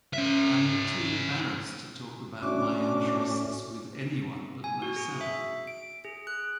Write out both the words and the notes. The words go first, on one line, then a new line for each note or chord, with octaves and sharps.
I’m too embarrassed to talk about my interests with anyone but myself.
C#4 E5
A2 C#4 D4 F#4 E5 C#6 D6
G#5
F#4
G#4
E5
D7
G#4
F#6